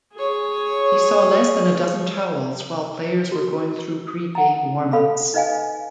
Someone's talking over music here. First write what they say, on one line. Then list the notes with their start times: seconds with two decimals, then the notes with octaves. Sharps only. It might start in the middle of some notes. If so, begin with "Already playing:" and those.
He saw less than a dozen towels while players were going through pre-game warm-ups.
0.15 G#4 C#5
3.32 F#4
4.35 F#5 A#5
4.93 A4 F5 B5
5.34 D#4 B4 D#5 F5 G#5